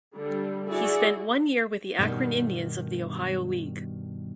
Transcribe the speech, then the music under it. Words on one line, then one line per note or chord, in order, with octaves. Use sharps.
He spent one year with the Akron Indians of the Ohio League.
D3 G3
E4 F#4 G#4 D5 E5
G2 B2 D3 D#3